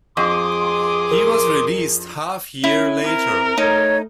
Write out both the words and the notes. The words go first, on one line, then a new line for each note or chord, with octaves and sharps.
He was released half year later.
F2 G#4 C6 D6 D#6
A#4
C#4 E4
C4 A#4
A3 D#4 C#5